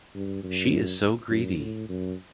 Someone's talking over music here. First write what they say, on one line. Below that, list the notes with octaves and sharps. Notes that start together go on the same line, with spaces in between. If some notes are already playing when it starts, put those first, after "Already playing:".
She is so greedy!
G2
F#2
F#2
A2
F#2